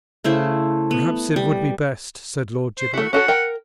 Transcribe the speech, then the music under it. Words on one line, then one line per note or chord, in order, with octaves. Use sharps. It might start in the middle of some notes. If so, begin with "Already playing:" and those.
"Perhaps it would be best," said Lord Giblet.
C#3 A3 E4 C5
B3
G3
C5
A3 E4 F#4
C#4 F#4 A4 F#5
A#4 G5